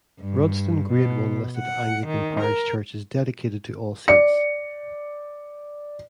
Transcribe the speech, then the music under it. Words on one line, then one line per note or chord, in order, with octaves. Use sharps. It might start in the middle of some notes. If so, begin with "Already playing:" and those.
Rudston Grade One listed Anglican parish church is dedicated to All Saints.
G2
B2
F#5
D#3
A#4
D5 C#7